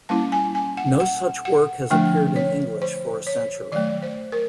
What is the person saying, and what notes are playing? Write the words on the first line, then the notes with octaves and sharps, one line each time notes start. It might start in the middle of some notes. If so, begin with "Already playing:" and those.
No such work has appeared in English for a century.
G3 A#3 C#4 E4 A5
G#5
G#5
F#5
F#5
F#5
D3 F3 A3 D4 G5
C#5
C5
C#5
D#3 F#3 A3 D5
C5
A#4